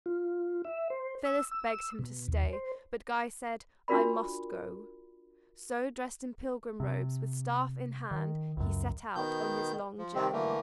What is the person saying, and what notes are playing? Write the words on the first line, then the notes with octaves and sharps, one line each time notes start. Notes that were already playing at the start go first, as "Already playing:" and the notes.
Phyllis begged him to stay; but Guy said, "I must go." So, dressed in pilgrim robes, with staff in hand he set out on his long journey.
F4
E5
C5
E6
E6
B2
D#2
C5
D4 F4 F#4 A#4 D5 B5
C3
D#3
C#2 F#2
B2 D#3 G6
F3
C3 D#3 C4
D3 E3 A3 A#3